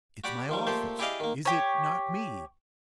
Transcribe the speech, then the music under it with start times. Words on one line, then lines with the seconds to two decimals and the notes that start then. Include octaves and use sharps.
It's my office, is it--not me?
0.24 F#4 G4 D5 F#5 B5
0.49 D#3 F3 G3
0.67 A#2 A3 G4 A4 C5
0.99 E4 G4 G#4 D5 D#5 F5
1.20 D#3 A#3
1.45 G4 C#5